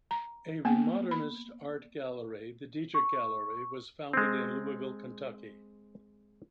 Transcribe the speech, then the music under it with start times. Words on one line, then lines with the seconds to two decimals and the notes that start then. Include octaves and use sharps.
A Remodernist art gallery, The Deatrick Gallery was founded in Louisville, Kentucky.
0.11 A#5
0.65 A#3 B3 F#5
1.11 B5
2.95 C#6
4.13 G#3 C4